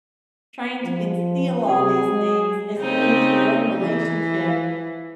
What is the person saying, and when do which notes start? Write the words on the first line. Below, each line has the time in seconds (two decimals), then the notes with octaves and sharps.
trying to conceal all these things as you would into your own relationship,
0.84 F3
1.68 C3 G#4
2.10 G#3
2.77 C#3 C4 D#4
3.78 E3